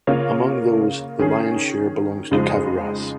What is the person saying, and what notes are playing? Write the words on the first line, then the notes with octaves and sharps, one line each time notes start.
Among those, the lion's share belongs to Kavouras.
C#3 A#3 F4 C#5
D#3 C#4 G#4
F2 C#3 F3 G#3 D#4